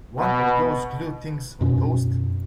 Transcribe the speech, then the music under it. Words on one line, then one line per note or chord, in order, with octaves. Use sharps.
One of those glue things on toast?
B2
F#2 B2 C#4